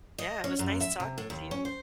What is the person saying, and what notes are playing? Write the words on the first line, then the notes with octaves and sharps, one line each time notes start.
Yeah, it was nice talking to you.
D#5
C#4
F#2
E5
C3
A2
D#2
C#4
C5